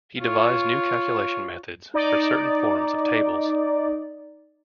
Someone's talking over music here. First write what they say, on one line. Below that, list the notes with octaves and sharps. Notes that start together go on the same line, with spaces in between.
He devised new calculation methods for certain forms of tables.
F4 C#5
D#4 D5